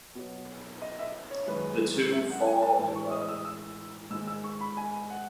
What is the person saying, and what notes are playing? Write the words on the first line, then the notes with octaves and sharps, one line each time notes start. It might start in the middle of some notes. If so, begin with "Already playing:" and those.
The two fall in love.
B2 F#3
D#5
E5
C#5
F#2 D#3 G#3 B4
E5
F#5
G#5
A5
A2 E3 G#3
C#6
D#6
D#6
E6
E6
G#2 D#3 G#3 E6
E6
C#6
B5
G#5
F#5